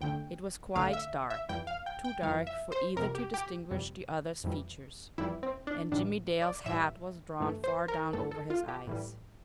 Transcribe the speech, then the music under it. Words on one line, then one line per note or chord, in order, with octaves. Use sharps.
It was quite dark, too dark for either to distinguish the other's features--and Jimmie Dale's hat was drawn far down over his eyes.
D2 D3 A3 G5
D2 D3 A3 F5
E5
E5
F2 E3 G3 G5
F5
G5
G5
F2 E3 G3 F5
E5
C5
F2 C3 G3 A#4
G4
G4
F2 C3 G3
F2 E3 G3
F2 E3 G3 E4
C4
D4
A2 E3 G3 D4
D5
A2 E3 G3 E5
G2 E3 A3
C5
A#4
G2 E3 A3 A4
A4
F4
G4
A2 E3 G3